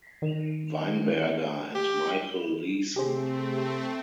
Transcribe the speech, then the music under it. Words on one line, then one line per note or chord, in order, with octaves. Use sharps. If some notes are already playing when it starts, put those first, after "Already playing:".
Weinberger and Michael Leeson.
D#3
G4
C3 A3 C4 G4 G#4 C5